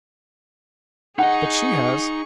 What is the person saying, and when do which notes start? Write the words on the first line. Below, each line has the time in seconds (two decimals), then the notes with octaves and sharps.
But she has.
1.19 D#4 G#4 D#5 F#5 C#6